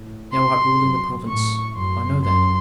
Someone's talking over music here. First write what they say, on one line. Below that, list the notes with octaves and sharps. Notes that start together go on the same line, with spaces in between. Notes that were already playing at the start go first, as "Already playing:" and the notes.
Thou art ruling the province--I know that.
Already playing: A2
C6
F#2
A2 C#6
F#2 C6
F#2 C6